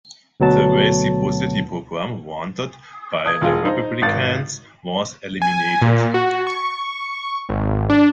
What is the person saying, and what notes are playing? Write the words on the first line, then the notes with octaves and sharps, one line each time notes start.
The reciprocity program wanted by the Republicans was eliminated.
D2 B2 F#3 B3 A5
D#6 G#6
E1 F4 G#4
D#4 C5 D#5
G#1 A6
G#5
A#2
F#4
C#6
G#1
D4